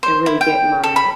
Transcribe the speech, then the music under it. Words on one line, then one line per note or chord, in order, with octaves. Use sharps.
and really get my
C5
E4
G5
A4
B5